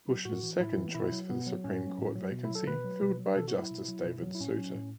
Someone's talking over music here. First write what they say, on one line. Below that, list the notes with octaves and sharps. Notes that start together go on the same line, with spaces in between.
Bush's second choice for the Supreme Court vacancy filled by Justice David Souter.
F#3
A2 F#4
E3
A2 E4
E3
B2 E4
F#3
B2 B3
F#3
A2 C#4
F#3
A2
F#3
B2
E4
F#3
A4
B2 B4
F#3
B2
F#3
B2 A4
F#4
F#3
E4
B2
F#3
B2
F#3
E4
A2 C#4
F#3
A2